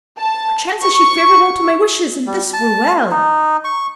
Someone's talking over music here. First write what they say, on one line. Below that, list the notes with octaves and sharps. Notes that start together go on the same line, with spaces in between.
Perchance is she favourable to my wishes, and this were well!'
A5
C#6
G3
A5
D#4
C#6